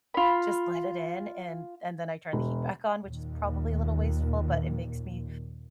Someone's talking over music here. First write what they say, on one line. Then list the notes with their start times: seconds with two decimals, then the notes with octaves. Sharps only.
just let it in and and then I turn the heat back on, which is probably a little wasteful, but it makes me
0.14 F4 B5
2.33 E1
3.06 D#2 A#2